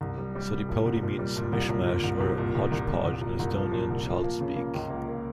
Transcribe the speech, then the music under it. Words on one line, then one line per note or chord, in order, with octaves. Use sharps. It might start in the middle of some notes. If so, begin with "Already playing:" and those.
Sodipodi means "mish mash" or "hodgepodge" in Estonian child-speak.
C2
G3
G3
C2
A#2
C2
A#2
G3
A#2
C2
A#2
A#2
C2
C2
A#2
C2
C2
C2
C2
A#2
C2
F3
A#2
C2
F3
A#3
C#3
A#3
C#2
A#3
A#3